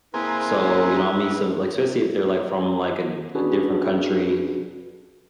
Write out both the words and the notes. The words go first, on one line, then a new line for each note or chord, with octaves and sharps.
so, you know, I meet some Like, especially if they're, like, from, like, a d a different country,
A#3 C4 E4 G#4 B4
C#4 D4 F#4 G#4 A4 B4